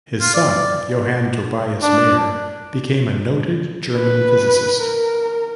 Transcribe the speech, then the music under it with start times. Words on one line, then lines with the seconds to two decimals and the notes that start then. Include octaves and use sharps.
His son Johann Tobias Mayer became a noted German physicist.
0.21 F4
0.34 D5
1.83 D4
3.97 B4
4.80 A#4